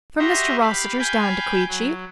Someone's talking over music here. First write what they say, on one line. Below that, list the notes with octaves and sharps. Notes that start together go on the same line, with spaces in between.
"From Mr. Rossitur's down to Queechy."
F#4 G4 D#5 E5 A#5 C6
G4 F5 B5
F5 G5 G#5 B5 G6
F#3